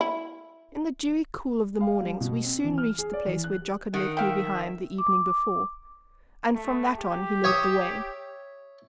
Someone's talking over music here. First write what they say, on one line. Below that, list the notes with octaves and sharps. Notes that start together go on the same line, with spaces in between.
In the dewy cool of the morning we soon reached the place where Jock had left me behind the evening before; and from that on he led the way.
E4
F5
G3
B2
C4
E3
F6
G#4
D5
E3
F#6
G4
D#3 F#5
E5 F5 G5
D6
A3
G4
C#5 E5 D#6